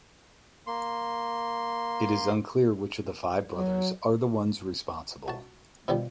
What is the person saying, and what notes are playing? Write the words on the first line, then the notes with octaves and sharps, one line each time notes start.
It is unclear which of the five brothers are the ones responsible.
A#3 C6
F#3
F#4 A5
B2 D#3 F3 G3